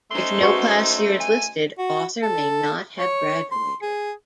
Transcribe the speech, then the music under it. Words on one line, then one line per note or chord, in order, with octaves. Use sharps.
If no class year is listed, author may not have graduated.
A3 C#4 D#4 C5 C6
F#4 B4 C#6
G#5
F#4
A4
C#5
C6
G#4